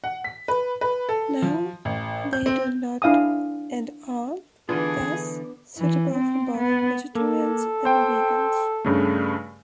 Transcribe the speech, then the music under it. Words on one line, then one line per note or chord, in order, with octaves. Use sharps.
Now they do not and are thus suitable for both vegetarians and vegans.
F#5
B6
B4
B4
A4
F3
A1
G6
C4
D4 E4 F5 G#5 D#6
D3 E3 B3 D4 F4 G#4 B4
E3
C4
B3
A#3 A4
C5 G5
G2 C#3 A3